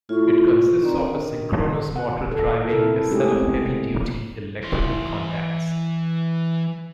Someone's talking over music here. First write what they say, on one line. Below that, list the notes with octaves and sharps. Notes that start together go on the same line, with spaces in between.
It consists of a synchronous motor driving a set of heavy-duty electrical contacts.
A2 F4 C#6
D#3 C4 D5 A#5
D4
D#3 F#5
A4
C3 E4 A4 A#4
G#3 A3 C#4 D#4 G4 G#4
B3 C4
E3 C6